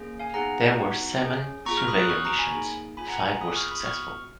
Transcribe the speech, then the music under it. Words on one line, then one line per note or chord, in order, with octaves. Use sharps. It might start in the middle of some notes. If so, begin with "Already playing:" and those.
There were seven Surveyor missions; five were successful.
Already playing: A#3 C#4 G#4
F5 G#5
B3 D#4 G#4 F#5 A#5
B3 D#4 F#4
C#4 G#4
B3 F4 G#4 A#5 C#6
C#6 F6
B5 D#6
D#6 F#6
C#4 F#4 C#6 F6
A#5 C#6
G#5 B5
A#3 D#4 G#4
C#4 F4 G#4 G#5 B5
F#5 A#5
G#5 B5
B3 F4 G#4 B5 D#6
C#6 F6
B5 D#6
B3 F#4 C#6 F6